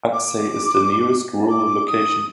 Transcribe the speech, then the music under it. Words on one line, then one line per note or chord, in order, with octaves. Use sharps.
Aksay is the nearest rural locality.
D6
D6
D#6